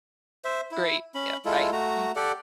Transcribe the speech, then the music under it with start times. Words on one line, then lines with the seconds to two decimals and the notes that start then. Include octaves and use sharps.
Great. Yeah, bye. Mm
0.45 C5 E5
0.71 E4
1.15 C#4 B5
1.45 G#3 E4 F4 A4
1.72 A3 F#4 A#5
2.16 G4 A4 D5 F#5